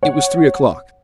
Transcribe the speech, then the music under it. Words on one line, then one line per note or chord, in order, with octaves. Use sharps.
It was three o'clock.
C#5 F#5